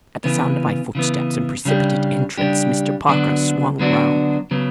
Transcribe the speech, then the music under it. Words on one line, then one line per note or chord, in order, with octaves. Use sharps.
At the sound of my footsteps and precipitate entrance Mr. Parker swung round.
C#3 E3 B3
C#3 E3 B3
C#3 G3 D4 G4
C#3 G3 D4 G4
D3 F#3 B3 D4 F#4
D3 F#3 B3 D4 F#4
C#3 F#3 B3